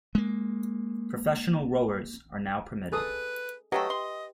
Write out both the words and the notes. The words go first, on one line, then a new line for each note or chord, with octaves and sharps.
Professional rowers are now permitted.
G#3 A#3
G#4 A4 B4 D#6
F#3 A3 G4 A4 B4 D#5
C6